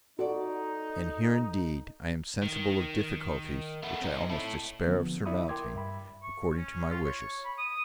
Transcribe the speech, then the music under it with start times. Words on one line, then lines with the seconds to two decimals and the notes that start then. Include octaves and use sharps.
And here, indeed, I am sensible of difficulties which I almost despair of surmounting according to my wishes.
0.19 D#4 F#4 A4 D5
2.42 D#3
3.83 A3 B3
4.02 C4 D#4
4.30 E4 A4
4.87 D3 F3 B3
5.26 E4 D5 E5 B5 D#6
5.49 A#4 G5 C6 D6 G#6
5.74 G2 E5 B5
6.23 C#6
6.56 C#4
6.91 F4
7.05 C#5
7.45 B5
7.58 D#6